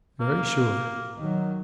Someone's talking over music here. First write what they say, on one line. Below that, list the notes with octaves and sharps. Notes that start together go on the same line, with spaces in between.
"Very sure!"
A#3
D#3 F#3